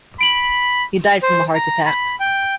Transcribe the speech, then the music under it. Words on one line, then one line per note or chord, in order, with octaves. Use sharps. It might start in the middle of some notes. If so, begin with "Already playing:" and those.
He died from a heart attack.
B5 D7 F#7
C5
A#5
B5
G5